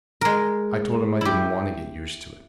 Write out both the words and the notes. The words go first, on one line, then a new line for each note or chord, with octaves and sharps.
I told him I didn't want to get used to it.
G#3 A#4
E4 G4